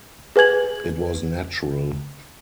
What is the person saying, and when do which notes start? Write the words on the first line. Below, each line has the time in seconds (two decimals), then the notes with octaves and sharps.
It was natural.
0.36 G#4 B4 G#5 G#6 F#7